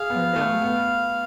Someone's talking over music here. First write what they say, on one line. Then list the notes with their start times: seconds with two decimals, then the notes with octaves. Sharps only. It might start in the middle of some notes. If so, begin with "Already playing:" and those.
or no?
Already playing: G#4 F5
0.10 B3
0.36 A3
0.62 B3